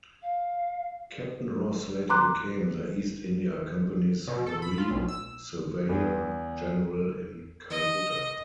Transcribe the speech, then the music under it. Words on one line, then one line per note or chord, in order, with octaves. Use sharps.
Captain Ross later became the East India Company's Marine Surveyor General in Calcutta.
F5
A#5 C6 D6 F#6
B2
A4
B5
F4
B1
E6
E2
D#5